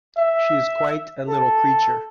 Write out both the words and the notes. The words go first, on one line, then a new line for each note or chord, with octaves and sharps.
She is quite a little creature.
E5
A4